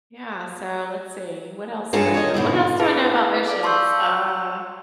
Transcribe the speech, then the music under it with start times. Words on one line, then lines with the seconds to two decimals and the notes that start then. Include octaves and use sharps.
Yeah. So, let's see, what else do I know? What else do I know about oceans? Uh,
1.93 G2 G#3 F4 A4 C#5 G#5
2.14 C#5 D#5
2.34 G#2 B2 D3 E4
2.79 E4 G#4 B4 F5 A5
3.48 D5 F5 D6
3.63 A5 C6 C#6 E6 G6